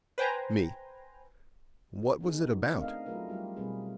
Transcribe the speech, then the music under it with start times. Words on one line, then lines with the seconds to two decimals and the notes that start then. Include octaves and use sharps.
ME: What was it about?
0.18 B4 C5 G5 G#5 A#5
2.21 B3 D#4 G#4
2.76 A3 C4 D4 A#4 D#5 F5
3.06 F#3 A3 F4 G#4 A#4 B4
3.29 G3 F4 G4 B4
3.56 B2 G3 C4 G#4 B4